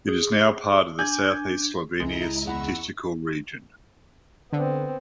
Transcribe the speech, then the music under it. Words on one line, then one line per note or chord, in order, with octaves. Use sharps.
It is now part of the Southeast Slovenia Statistical Region.
G#4
D4 G#5 G6 G#6
C#2 G#3 E4 D#5 A#5
E2 F#5 B5 C#6 E6
D3 B3 C4